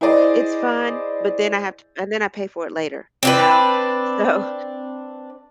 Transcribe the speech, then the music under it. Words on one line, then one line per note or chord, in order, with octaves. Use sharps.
it's fun, but then I have to and then I pay for it later, you know? So
E4 G#4 C5 D5 D#5
C4 D4 B4